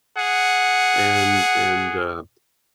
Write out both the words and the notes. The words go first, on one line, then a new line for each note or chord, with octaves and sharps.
and and, uh
G#4 F#5